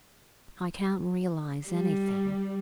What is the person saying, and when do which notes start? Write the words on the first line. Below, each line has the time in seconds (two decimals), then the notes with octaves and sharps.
I can't realise anything.
1.68 G3